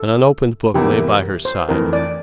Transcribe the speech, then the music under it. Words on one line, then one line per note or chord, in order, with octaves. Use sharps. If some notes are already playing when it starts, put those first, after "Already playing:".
An unopened book lay by her side.
Already playing: A4
E2 C3 E3 A#3 E4 G4
C5
F2 E3 A3 A#4
D5